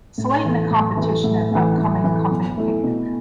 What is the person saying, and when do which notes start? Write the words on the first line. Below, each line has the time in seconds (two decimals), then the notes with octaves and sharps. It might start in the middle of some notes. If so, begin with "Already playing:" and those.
Slate in a competition at the upcoming company picnic.
0.18 A2
0.45 E3 A3
0.71 A2
0.97 E3 A3
1.24 A2
1.51 E3 A3
1.78 A2
2.04 E3 A3
2.31 B2
2.58 A3 E4
2.83 B2